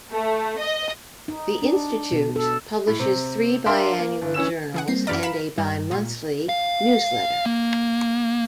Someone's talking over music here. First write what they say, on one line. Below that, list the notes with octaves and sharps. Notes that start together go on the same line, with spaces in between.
The institute publishes three bi-annual journals and a bi-monthly newsletter.
A3
D#5
D#4
D4
B2
A4
A2
C3
D4 A#4 E5 F5 C6
A#3
G1
E3 C#4 E6 E7
E3 G#4 F#5
G3 A#3 C4 C7
F#2 E3 D5 A#5 F6 B6
F5 B5 E7
G2 G3
A#2 F4
F5
A#3